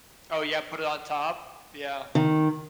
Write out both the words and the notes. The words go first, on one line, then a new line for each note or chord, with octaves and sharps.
Oh yeah, put it on top? Yeah.
D#3